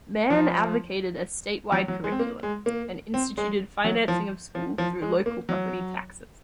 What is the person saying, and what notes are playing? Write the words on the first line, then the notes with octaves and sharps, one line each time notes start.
Mann advocated a statewide curriculum and instituted financing of school through local property taxes.
F3
F#3
F#3
G#3
C4
A#3
G#3
A#3
C4
G#3
F#3
F3
F3
F3
G#3
A#3
F#3